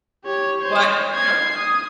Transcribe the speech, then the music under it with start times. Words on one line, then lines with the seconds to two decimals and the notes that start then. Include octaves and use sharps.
but, you know,
0.25 G4 C#5
0.62 C5 C#5
1.15 G#6 C7
1.58 D#6